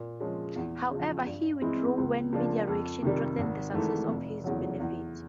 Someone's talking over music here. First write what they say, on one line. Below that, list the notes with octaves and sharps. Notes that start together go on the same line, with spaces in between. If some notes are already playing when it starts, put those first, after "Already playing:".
However, "he withdrew when media reaction threatened the success of his benefit".
Already playing: A#2
F3 G#3 C#4
E2
C#3 F3
G2
E3 G#3 C4 E4
C#2
C#3 F3 A#3 D4
F2
C3 D#3 G3
G#1
G#2 E3 A3
F1
E2 C#3 F#3
E2